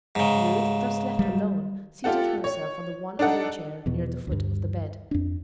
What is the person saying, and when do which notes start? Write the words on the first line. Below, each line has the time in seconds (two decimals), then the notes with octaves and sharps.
Ruth, thus left alone, seated herself on the one other chair near the foot of the bed.
0.15 G#2 C#3
1.19 G3
2.04 F4 G4 A4 F#5
2.44 C#5
3.19 D4 D#4 A4 F#5
3.86 E2 B2
4.27 D2 G2
5.11 F2 D4